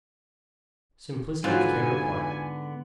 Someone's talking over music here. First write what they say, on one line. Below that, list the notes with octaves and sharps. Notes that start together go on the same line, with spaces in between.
Simplicity of care required.
G#2 D3 F#3 B3 C4 F4 G#5 F#6